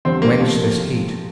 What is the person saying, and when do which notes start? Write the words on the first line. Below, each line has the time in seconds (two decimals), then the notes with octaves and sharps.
Whence this heat?
0.05 G1 F2 D3 G3 C4
0.22 A#3
0.39 C3 F3 A3 C4